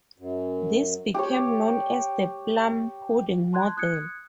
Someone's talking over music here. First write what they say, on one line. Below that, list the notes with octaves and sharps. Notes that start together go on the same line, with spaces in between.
This became known as the plum pudding model.
F#2
G4 C#5
A5 C6 F#6 G#6
D#6 F#6 G#6 C#7